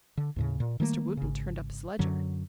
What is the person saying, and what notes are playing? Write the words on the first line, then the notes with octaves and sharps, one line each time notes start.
Mr. Wootten turned up his ledger.
D3
D#2 A2 C#3
A#2
D#3 G3 A3 A#3
G#1 C#3
F#2 D3 F#3